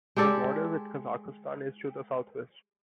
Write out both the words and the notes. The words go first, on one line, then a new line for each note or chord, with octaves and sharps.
The border with Kazakhstan is to the southwest.
G#3 G4 A4 D5